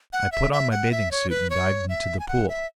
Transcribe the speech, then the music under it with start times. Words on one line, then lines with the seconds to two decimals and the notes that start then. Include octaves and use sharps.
I put on my bathing suit and dived into the pool.
0.13 F#5
0.32 E5
0.53 E5
0.71 F#5
0.92 E5
1.11 C#5
1.30 B4
1.50 C#5
1.89 E5
2.19 G#5
2.28 F#5
2.49 E5